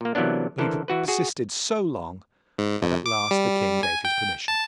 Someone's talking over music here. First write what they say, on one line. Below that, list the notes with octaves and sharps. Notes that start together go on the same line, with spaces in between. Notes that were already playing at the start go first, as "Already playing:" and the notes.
But he persisted so long that at last the King gave his permission.
A#2 A#3
C3 E3 F#3 A#3 B3 D4
D3 E3 A4 A#4 C5
E3 F#4 B4
F#4 G#4
G#2
F2
D6
G3
G#5
G5
A5